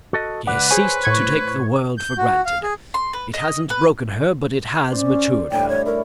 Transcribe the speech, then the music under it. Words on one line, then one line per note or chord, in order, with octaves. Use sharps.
She has ceased to take the world for granted. It hasn't broken her but it has matured her.
F#4 A4 D#5
C#2 B4 D5 F#5
G#4 C5 C#5 G#5
A2 C#6 G#6
G6
F#4
F5
G#4
C6
B4
D#5
B4
C#4 C5 D5
A2 D3 G3 G5
C#5
E4 A#4 C#5